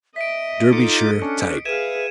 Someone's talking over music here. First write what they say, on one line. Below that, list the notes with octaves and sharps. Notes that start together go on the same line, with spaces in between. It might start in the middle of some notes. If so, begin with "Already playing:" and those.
Derbyshire type.
D#5 E5 B6 D7
D#4 F4 A4 D6 C#7
C#4 D4
G#4 B4 E5 F5 G#6 D#7 E7